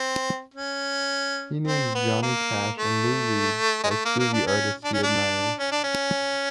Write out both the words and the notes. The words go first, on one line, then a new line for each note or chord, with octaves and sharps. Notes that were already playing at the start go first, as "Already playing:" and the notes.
He names Johnny Cash and Lou Reed as two of the artists he admires.
Already playing: C4
C#4
C4
B3
A#3
A3
G#3
A3
A#3
A#3
D4
C#4
D4
C#4
D4
C#4
D4
C#4